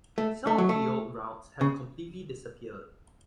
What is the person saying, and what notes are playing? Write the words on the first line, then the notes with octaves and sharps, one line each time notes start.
Some of the old routes have completely disappeared.
A3
A3
F#3
A3
C#3